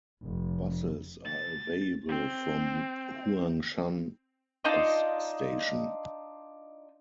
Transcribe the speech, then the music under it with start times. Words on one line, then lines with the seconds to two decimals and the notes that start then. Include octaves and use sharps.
Buses are available from Huangshan Bus Station.
0.23 F1
1.25 A6
2.09 C4
4.64 D4 D#4 F4 D#5